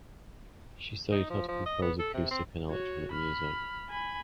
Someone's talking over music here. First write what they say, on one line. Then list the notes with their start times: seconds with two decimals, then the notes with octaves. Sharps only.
She studied how to compose acoustic and electronic music.
1.12 D#4
1.30 F3
1.49 F3
1.66 D#5
1.82 B3
1.99 A4
2.14 C3
2.31 C4
2.70 F#4 C#5
3.12 B5 F6
3.89 G#5 B5